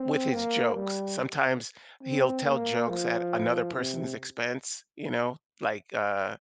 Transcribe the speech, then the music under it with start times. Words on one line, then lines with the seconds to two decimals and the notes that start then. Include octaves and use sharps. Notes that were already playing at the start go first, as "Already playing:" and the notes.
with his jokes. Sometimes he'll tell jokes at another person's expense, you know, like, uh,
Already playing: C4
0.32 A#3
0.75 G3
2.03 C4
2.45 A#3
2.88 F3
3.73 C3